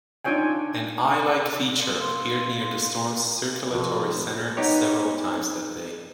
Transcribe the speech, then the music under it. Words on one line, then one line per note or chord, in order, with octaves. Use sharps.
An eye-like feature appeared near the storm's circulatory center several times that day.
D4 D#4 F4 C#5 G5 G#5
A#3 C6
G#1 F2 C3 F#4
B3 D#4 G4 C#5